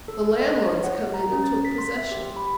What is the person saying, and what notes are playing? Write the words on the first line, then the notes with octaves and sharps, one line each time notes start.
The landlord's come in and took possession.
A4
D#5
C#5
F#5
A#5
C#4
A6
B6
C6
E5
G4
B5